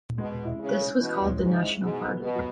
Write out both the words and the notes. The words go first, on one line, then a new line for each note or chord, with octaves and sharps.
This was called the National Party.
B2 G#3
E4
C#3
C#4
B2 E3
G#3
G#2
E4
G#2 B2
B3
B2
F#3